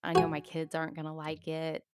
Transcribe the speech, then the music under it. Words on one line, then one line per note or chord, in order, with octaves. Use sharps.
I know my kids aren't gonna like it.
F#4 G#5